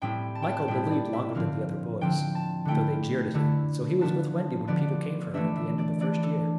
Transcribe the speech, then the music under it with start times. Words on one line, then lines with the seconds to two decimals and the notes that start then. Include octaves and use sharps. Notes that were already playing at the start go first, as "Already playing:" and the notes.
Michael believed longer than the other boys, though they jeered at him; so he was with Wendy when Peter came for her at the end of the first year.
0.02 A2 G3 C4 E4 G5
0.35 A5
0.42 G5
0.50 A5
0.68 A2 G3 C4 E4 G5
0.91 D5
1.13 E5
1.35 D3 F3 C4 F5
2.01 D3 F3 C4 G5
2.35 A5
2.65 D3 A3 E4 G5
3.34 D3 A3 E4
4.01 D3 F3 B3 A5
4.67 D3 F3 B3 D5
5.34 E3 A3 D4 E5
5.56 E5
5.79 D5
6.00 E3 A3 D4 D5
6.23 A4